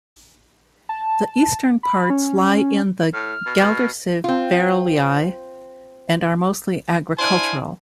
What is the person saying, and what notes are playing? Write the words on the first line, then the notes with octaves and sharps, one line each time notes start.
The eastern parts lie in the Gelderse Vallei and are mostly agricultural.
A5
B5
C#4
A2 F6
B2
B2
C4 F4
D4 E4 C5 F5 G#5